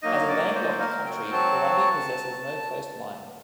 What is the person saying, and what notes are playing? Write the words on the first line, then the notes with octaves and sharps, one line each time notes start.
As a landlocked country, Burundi possesses no coastline.
F#3 A#3 D#4 D#5
D5
C5
A#4
F#3 C4 F#4 G5
A5